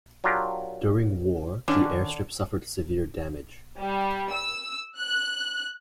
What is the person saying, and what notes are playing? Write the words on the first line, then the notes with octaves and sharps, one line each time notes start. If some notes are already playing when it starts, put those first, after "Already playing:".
During war, the airstrip suffered severe damage.
F#3 D4 F4 G4 A#4
D3 D#3 C#4 D4
G3
E6
F#6